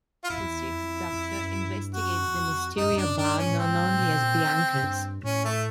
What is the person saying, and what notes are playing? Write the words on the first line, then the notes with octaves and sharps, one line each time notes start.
The Sixth Doctor investigates the mysterious bar known only as "Bianca's".
F4
E2 E4
F2
E2
F2
F2
F#2
G2
F#2 F#4
E2
F2
F#2 D#4
G2
F#2
D4
G2 D4
C#4
A2
G#2 C4
A#2
B2
A#2
G2
A2 C#4
A3